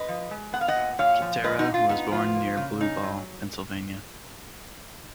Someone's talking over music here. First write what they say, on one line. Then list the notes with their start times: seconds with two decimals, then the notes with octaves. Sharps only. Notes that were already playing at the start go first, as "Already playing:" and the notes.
Kittera was born near Blue Ball, Pennsylvania.
Already playing: B4 D#5
0.08 F3
0.31 G#3
0.53 B3 F#5
0.61 F5
0.68 D#5 F#5
0.76 A#2
0.99 A#2 C#5 F5
1.22 F3
1.44 G#3 B4 D#5
1.59 D#4 F#4
1.67 A#2
1.74 F4
1.89 B3 D#4
2.12 F3 F4
2.35 A#3
2.57 C#3
2.81 C#4 D#4
3.03 F#3